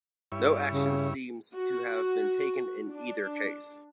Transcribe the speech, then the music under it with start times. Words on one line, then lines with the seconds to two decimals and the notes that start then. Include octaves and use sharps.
No action seems to have been taken in either case.
0.32 G2 E4 C#5
0.73 C#3
1.54 F#4
2.92 D4